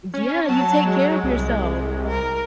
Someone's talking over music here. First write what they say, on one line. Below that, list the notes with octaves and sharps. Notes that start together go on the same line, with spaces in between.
D yeah, you take care of yourself.
C#4
F#3 A5
G#3
C2
A#4